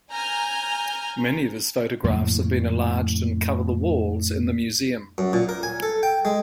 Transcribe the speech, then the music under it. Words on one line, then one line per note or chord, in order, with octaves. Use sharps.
Many of his photographs have been enlarged and cover the walls in the museum.
G#5 A#5 F6 G6
F2 A2 C#3 A#3
F#2
A#2
A#4
G#5
A4
G5
G#3